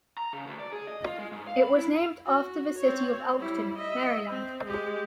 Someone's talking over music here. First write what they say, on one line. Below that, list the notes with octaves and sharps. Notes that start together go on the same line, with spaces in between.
It was named after the city of Elkton, Maryland.
A#5
C#3
D2
D5
G#4
D#5
F4
G#3
G#2
F5
B5
E4
F#4
C4 C#5
G3 E4
D#5 E5
C4
G#3 G4